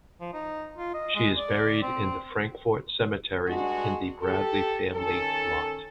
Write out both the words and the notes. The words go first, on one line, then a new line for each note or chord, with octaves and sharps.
She is buried in the Frankfort Cemetery in the Bradley family lot.
F3
D#4
F4
D#5
G#3
D5
C4
G2 G#3 D4 F#4
G4 A4
D#3 C#4 A4